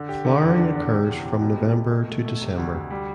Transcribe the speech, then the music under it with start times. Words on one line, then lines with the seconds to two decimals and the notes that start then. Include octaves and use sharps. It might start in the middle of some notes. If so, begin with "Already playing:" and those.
Flowering occurs from November to December.
Already playing: D3
0.09 G4
0.25 D3
0.42 E2
0.58 D4
0.75 E2
0.92 C3
1.08 E2
1.25 C3
1.41 B2
1.58 A3
1.74 A3
1.91 B2
2.08 A3
2.25 A3
2.42 C3
2.58 D2
2.74 D2
2.90 G3